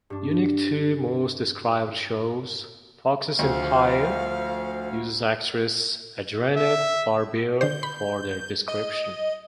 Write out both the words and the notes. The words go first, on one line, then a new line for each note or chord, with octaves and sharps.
Unique to most described shows, Fox's "Empire" uses actress Adrienne Barbeau for their description.
G2 D4
D2 F3 F5
E5
D3 C5 G6
B5
D#5